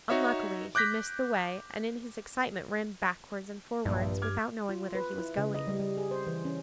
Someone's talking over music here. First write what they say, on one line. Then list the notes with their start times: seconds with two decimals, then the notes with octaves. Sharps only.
Unluckily he missed the way, and in his excitement ran backwards and forwards, without knowing whither he was going.
0.10 D#4 F#4 C#5 E5
0.75 D6 F#6 G6 A#6 B6
3.85 A#1 G2
4.22 D6 F6 G#6
4.69 F4
4.95 B4
5.18 E4
5.37 C#3
5.54 D#5
5.67 G3
5.80 G3
5.97 G#4
6.11 C5
6.27 E3
6.45 C#4